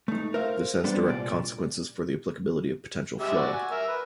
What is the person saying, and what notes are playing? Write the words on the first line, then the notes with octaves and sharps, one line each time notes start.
This has direct consequences for the applicability of potential flow.
A3 D#4
A#4 C5 E5 F5
G3 B3 D4 C5
C2 A#2 D5
G3 G#3 E5
F#4 D5
G#5
A#4 E5
B4